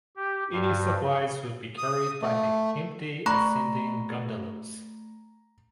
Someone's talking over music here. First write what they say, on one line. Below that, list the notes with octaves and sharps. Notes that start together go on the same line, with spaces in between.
Any supplies would be carried by the empty ascending gondolas.
G4
G2
D#6
A3
A3 A#5 B5 C#6